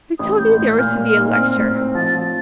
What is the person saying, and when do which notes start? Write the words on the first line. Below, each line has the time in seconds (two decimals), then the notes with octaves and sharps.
"Who told you there was to be a lecture?"
0.19 A1 D#6
0.39 A2 G6
0.58 A2 G6
0.78 A#2 F6
0.97 A#3
1.17 D#4
1.36 C4
1.56 A2
1.75 C4
1.95 F3 A6
2.15 F3